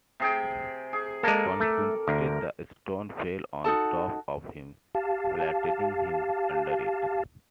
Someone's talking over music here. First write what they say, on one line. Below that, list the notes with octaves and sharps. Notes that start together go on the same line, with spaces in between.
Consequently the stone fell on top of him, flattening him under it.
C3 G#4 G5
G#4
G#3 A#3 A4 A#4 D5
A3
D2 A#4
D#4 F#4 A4 A5
G4 F5 A5